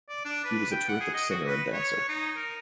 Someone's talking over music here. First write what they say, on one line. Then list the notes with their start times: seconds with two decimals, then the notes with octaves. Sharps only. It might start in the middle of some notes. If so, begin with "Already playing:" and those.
He was a terrific singer and dancer.
0.09 D5
0.25 D4
0.44 B4
0.71 G5
0.88 F#5
1.00 G#4
1.14 D#5
1.30 F#4
1.47 B4
1.73 C#5
2.08 D#4
2.36 A#4